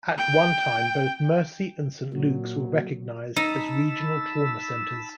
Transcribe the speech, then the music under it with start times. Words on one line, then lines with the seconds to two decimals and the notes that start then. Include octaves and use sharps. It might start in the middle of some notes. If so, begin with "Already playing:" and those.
At one time both Mercy and Saint Luke's were recognized as regional trauma centers.
0.18 G5
2.14 A#2 F#3
3.36 D#4 A5 B5 E6